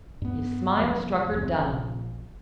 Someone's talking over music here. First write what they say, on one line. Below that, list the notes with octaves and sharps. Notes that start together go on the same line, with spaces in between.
His smile struck her dumb.
G2 B3
C2 F#2 F3 A#3
G1 E2 C3
A#1